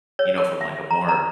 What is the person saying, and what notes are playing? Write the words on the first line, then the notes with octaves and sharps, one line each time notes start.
you know, from, like, a more
C#5
A#4
E5
A#5
A#5